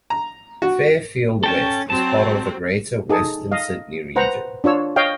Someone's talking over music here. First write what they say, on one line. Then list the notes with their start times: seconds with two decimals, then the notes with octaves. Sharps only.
Fairfield West is part of the Greater Western Sydney region.
0.10 A#5
0.62 F#4
1.44 C#4 A4 G5 A5
1.90 F#3 C4 A5
3.09 D#4 G#4 A4 A5
3.52 D#5 F5
4.16 B4 C5 F#5 A#5
4.64 D4 F4 C#5 E6
4.96 C#5 D#5 F5 G5